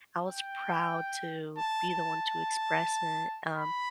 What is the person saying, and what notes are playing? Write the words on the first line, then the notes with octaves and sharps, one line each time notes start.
I was proud to be the one to express it. Um,
G5
A5
A5
B5